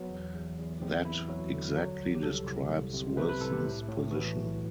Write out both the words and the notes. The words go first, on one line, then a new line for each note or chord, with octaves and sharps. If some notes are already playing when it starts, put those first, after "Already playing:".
That exactly describes Wilson's position.
Already playing: F#3 B3
E2
E2
E2
E2 C4
E2 E4
F#3 F#4
D3
F#3
C2
G4
C2 A4
C2
C2
C3
C3 B4
B4
C2 A4
G4
A2
A2
E3 F#4
B1